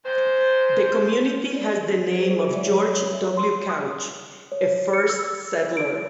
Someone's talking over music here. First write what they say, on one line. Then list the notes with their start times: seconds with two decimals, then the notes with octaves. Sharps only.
The community has the name of George W. Couch, a first settler.
0.04 G#2 C5
1.55 D5
2.12 G#4 C5
2.52 F#3 G#3 C#5 D5 E5
3.37 C6
3.69 D#6
4.52 C#5
4.93 C#7
5.09 E6
5.77 D7